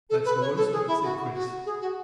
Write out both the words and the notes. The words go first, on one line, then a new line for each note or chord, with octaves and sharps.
"That's the worst of it," said Chris.
A4
B4
C#5
A4
G#4
E4
F#4
F#4
G#4
F#4